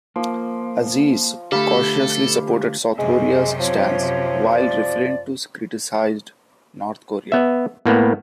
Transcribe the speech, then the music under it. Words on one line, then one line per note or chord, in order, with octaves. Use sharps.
Aziz cautiously supported South Korea's stance while refrained to criticised North Korea.
F3 A#3
D3 A3 G4 A4 F5 B5
F#2 C3 G#3
F3 C#5
D5
B3 E5
A2 A#3 B3